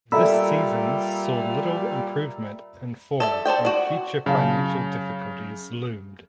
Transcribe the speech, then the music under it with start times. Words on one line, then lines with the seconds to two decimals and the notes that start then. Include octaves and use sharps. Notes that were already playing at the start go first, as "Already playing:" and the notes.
This seasons saw little improvement in form and future financial difficulties loomed.
0.12 A#2 G3 A4 D5 E5 A#5 B5 E6
3.20 A4 D5 E5
3.45 A4 C5 D5 G5
3.65 F#4 D5
4.26 F#2 C#3 F5 A5